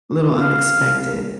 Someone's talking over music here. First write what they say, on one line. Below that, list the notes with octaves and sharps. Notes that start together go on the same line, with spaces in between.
little unexpected.
F5